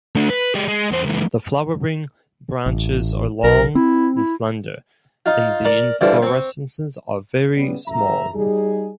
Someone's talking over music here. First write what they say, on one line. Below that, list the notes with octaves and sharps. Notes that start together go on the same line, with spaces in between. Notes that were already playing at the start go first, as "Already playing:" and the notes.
The flowering branches are long and slender and the inflorescences are very small.
A3 D4
B4
G#3 G4
G#3
E2 C5
C#2 E3
A1
B1 A#4
C4 E4
E4
D#4 F4
A#4 D5
D3 E3 F3 G3
C4 C#6
C#3 G3 B3
A1 F#2 E5 A#5
G3 D#4 G#4